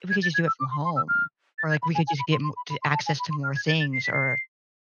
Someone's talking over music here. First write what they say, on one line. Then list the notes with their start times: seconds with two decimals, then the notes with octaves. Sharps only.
we could just do it from home. Or, like, we could just get m t access to more things or
0.10 G#6
0.23 A6
0.34 G#6
0.47 E6
0.60 D6
0.71 C6
0.85 C6
0.96 E6
1.09 F6
1.58 A6
1.70 G#6
1.82 B5
1.95 G#5
2.07 G#5
2.19 B5
2.32 C6
2.44 C6
2.57 B5
2.70 B5
2.82 C6
2.94 A5
3.06 G#5
3.19 B5
3.31 C6
3.44 F6
3.56 G#6
3.68 A6
3.80 A6
3.93 C7
4.04 B6
4.13 C7